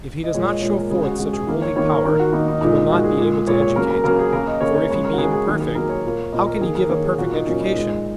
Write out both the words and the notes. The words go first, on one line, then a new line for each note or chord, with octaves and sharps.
If He does not show forth such a holy power, He will not be able to educate, for if He be imperfect, how can He give a perfect education?
D#5
A#2 G#3 C#5
D#5
A#2 G#3 C#5
A#4
C#3 G#3 G#4
F#4
C#3 G#3 F#4
G#4
D#3 A#3
C#5
D#3 A#3 C#5
A#4
D#3 A#3 A#4
F#4
D#3 A#3 D#4
D#4
A#2 G#3 D#4
A#2 G#3 F#4
G#4
A#2 G#3
A#2 G#3 C#5
C#5
C#3 F#3 A#3 A#4
A#4
C#3 F#3 A#3 A#4
G#4
C#3 A#3 A#4
D#5
C#3 A#3 C#5
C#5
C#3 G#3 C#5
A#4
F#4
C#3 G#3 G#4
G#4
D#3 F#3 A#3 A#4
G#4
D#3 F#3 A#3 A#4
C#5
A#2 A#3
A#2 A#3 D#5
A#4
D#3 A#3 G#4
A#4
D#3 A#3 C#5
G#4
A#2 F#3 A#3 F#4
D#4
A#2 F#3 A#3 C#4
D#4
A#2 G#3